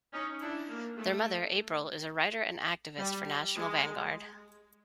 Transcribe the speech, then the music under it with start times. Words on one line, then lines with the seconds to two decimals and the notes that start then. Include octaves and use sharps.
Their mother, April, is a writer and activist for National Vanguard.
0.12 C#4 D#4
0.41 D4 E4
0.69 A#3
0.97 A3
2.97 G3
3.53 G#3